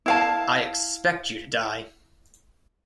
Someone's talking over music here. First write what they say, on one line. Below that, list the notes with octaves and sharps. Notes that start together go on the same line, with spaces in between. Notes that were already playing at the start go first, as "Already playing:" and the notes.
I expect you to die.
E4 F5 A5